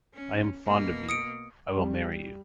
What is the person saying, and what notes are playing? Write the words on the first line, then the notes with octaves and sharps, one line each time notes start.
I am fond of you. I will marry you.
C#4
B2 A#3
D#6 C#7 D7
G3